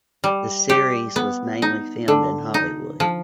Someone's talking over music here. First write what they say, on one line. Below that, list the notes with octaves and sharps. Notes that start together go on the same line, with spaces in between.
The series was mainly filmed in Hollywood.
G3
G4
B3
D#4
D3
D#4
F3